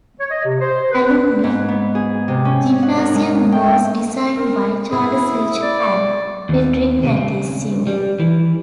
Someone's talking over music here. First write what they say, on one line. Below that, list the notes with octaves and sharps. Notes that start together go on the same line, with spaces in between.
Alumni Gymnasium was designed by Charles Rich and Fredrick Mathesius.
C#5
D#5
C3
C5
B4
B4
G#2
B3
G#4
C3
C#4
F#5
A#4
G#3
G5
A#4
E4 G#4
D5
D#2
C3
C#3
G3
E3